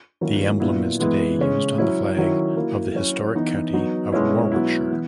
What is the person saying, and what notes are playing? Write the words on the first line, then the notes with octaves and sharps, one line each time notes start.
The emblem is today used on the flag of the historic county of Warwickshire.
D#3 F#3 A#3 C#4 E4
A#2 F#3 B3 E4
E3 G#3 B3 E4
C#3 G#3 C#4
F#3 C#4 E4
D#3 F#3 C#4 E4
F#3 A#3 E4
F#3 C#4 E4
E3 B3 D#4
F#3 B3 D#4
B2 G#3 C#4 E4
F#3 B3 E4
E3 B3